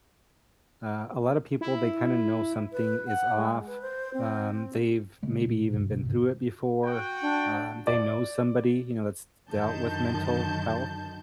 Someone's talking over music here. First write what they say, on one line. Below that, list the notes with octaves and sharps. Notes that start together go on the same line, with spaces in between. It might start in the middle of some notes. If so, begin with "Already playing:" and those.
Uh, a lotta people, they kinda know something is off, um, they've maybe even been through it before, um, they know somebody, you know, that's d dealt with mental health,
E4
B4
F#5
G#3
B4
C5
C4
C#3 G#3 A3
A#2
D2 G2 B2
D2 G#2 C3
G#2 C#3 D4
F#4 F#5 G5
D4
D5
F#2 D3 D#3 A5 G6